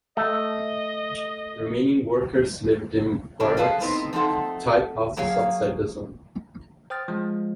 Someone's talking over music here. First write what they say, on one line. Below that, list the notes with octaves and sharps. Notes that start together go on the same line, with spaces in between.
The remaining workers lived in barracks type houses outside the zone.
A3 D#5
C#3 G3 C#4 D4 A4
G#4 B4 C5 F5 G#5 A5
A2 B3 C4 D#4
F3 A3 C4 D#4 A4 F#5
G2 F#3 A#3 G#4 C#5 F5
C5 G5 D#6 F6 A6
F3 G#3